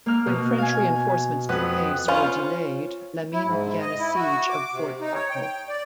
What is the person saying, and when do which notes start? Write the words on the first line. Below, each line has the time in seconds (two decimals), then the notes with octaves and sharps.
When French reinforcements to Kayes were delayed, Lamine began a siege of Fort Bakel.
0.06 A#3 F6
0.26 B2
0.58 F5 G#5
1.49 F2 B4 F#5 D#6
2.08 C#4 F4 C5
3.33 E4
3.45 G#2
3.82 D#5
4.00 E4
4.15 F#4
4.49 D6
4.72 C3
5.01 D#4
5.15 C#5
5.30 G5
5.42 G5
5.69 D5